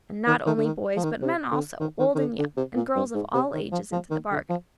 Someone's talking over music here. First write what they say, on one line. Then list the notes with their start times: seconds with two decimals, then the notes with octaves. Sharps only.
And not only boys, but men also, old and young, and girls of all ages into the bargain.
0.27 D#3
0.46 D#3
0.57 D3
0.65 D#3
0.96 F3
1.04 D#3
1.22 C3
1.51 D3
1.80 D#3
1.99 D#3
2.15 D#3
2.19 D3
2.38 D3
2.57 C3
2.76 A#2
2.95 G2
3.15 G#2
3.34 C3
3.54 D#3
3.72 F3
3.92 F3
4.11 D#3
4.31 D3
4.49 F3